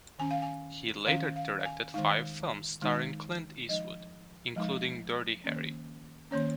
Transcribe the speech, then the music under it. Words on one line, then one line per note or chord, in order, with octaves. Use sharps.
He later directed five films starring Clint Eastwood, including "Dirty Harry".
D#3 C#4 G#5
F5
G#5
D#3 C#4 F5
F5
F5
G#5
D#3 G#3 D#4 F5
D#3 G#3 D#4
F3 G#3 D#4 D#5
F3 G#3 D#4
D#3 A#3 C#4
D#3 A#3 C#4 C#5